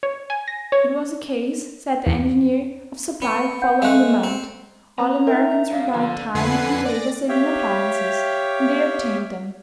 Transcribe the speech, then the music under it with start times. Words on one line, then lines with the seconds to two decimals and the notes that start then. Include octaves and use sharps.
It was a case, said the engineer, of supply following demand; all Americans required time--and labor-saving appliances, and they obtained them.
0.03 C#5
0.30 G#5
0.48 A#6
0.72 C#5
2.06 E2
3.22 B3
3.62 F#5 G6
3.82 G#3 A3 F5 F#6
4.24 C4
4.99 C4 A#5
5.27 D#4 A#4 E5
5.72 G2 F5
5.94 D3 F3
6.35 F2 D3 B4 F#5 G#5 C7
6.85 D5 A#6
7.28 G4 C#5 E5 F5 G5